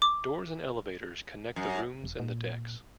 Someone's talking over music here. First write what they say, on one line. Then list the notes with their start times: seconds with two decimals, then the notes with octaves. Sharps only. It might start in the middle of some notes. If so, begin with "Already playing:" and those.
Doors and elevators connect the rooms and the decks.
0.02 D6
1.56 F#2
2.04 E1
2.19 A#2